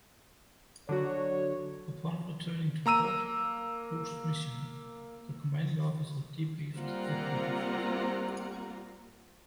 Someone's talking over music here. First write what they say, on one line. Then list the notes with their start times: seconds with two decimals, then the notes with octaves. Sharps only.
Upon returning to port post-mission, the Commanding Officer debriefed the crew.
0.89 D3 F#3 F#4 C#5
2.86 A#3 A#5 E6 D#7
6.75 G3 A#3 C4 F4 F#5 A#5